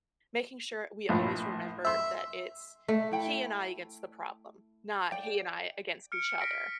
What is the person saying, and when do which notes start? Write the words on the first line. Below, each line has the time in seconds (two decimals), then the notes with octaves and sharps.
making sure we always remember that it's he and I against the problem, not he and I against each other.
1.09 A#1 A2
1.85 E5 C6 E6
2.88 A3 E5
3.11 E4 G5 B5
5.12 D5 G5
6.12 F6 C#7 D7
6.41 A#6 B6 D7